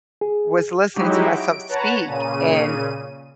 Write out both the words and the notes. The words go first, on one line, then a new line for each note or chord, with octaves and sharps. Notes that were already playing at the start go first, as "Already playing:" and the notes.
was listening to myself speak and
G#4
F#3 G#3 D#4 E4 F#4 G4
D7
B4 C#5 F#5 A5 A#5
A#2 C#3 D#7